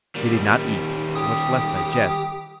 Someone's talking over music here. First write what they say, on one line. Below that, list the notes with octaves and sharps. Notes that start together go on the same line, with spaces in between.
They did not eat, much less digest.
D#3 G3
G4 G5 D#6